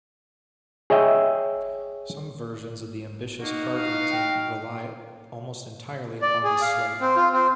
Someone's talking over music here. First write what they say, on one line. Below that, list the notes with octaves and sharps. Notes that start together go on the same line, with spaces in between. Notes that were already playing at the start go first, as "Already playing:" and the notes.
Some versions of the ambitious card routine rely almost entirely upon this sleight.
G#4 C#5 D#5 E5 G5
A#3 D#4 F#4
F5
G5
D5
G#4
F5
C4
F4
C4